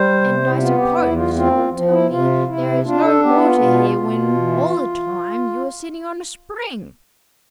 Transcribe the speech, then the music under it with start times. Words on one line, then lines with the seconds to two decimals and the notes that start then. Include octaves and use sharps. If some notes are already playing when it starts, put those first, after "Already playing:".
"And I suppose you will tell me there is no water here, when all the time you are sitting on a spring."
Already playing: G3 C5
0.21 C3
0.48 E4
0.59 B3 F4
0.78 G4
0.97 E2 E4
1.15 F4
1.35 C4 F4
1.47 E4
1.52 F4
1.72 F3
1.90 E4
2.10 C3 F4
2.47 C3 E4
2.84 D4 F4
3.04 A4
3.22 B3 G4
3.41 F4
3.59 B2 F4
3.98 B2
4.35 E3